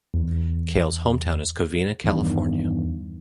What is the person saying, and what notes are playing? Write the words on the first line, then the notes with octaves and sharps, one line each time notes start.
Keil's hometown is Covina, California.
E2
E2 G2 D#3